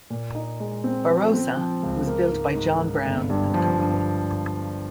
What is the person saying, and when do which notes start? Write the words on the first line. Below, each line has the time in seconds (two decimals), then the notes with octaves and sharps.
"Barrosa" was built by John Brown and Company.
0.10 A#2
0.35 D#4
0.60 G#3
0.84 C4
1.09 F3
1.33 C4
1.57 F3
1.83 C#2
2.07 A#3
2.31 G#2
2.55 G#2
2.80 G#2
3.05 G1
3.30 G2
3.54 F3
3.78 G2